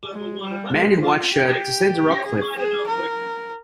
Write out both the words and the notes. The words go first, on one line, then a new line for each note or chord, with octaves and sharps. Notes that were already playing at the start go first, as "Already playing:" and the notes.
Man in white shirt descends a rock cliff.
G#3
G3
G#3
F4
G4
G#4
G#4
A#4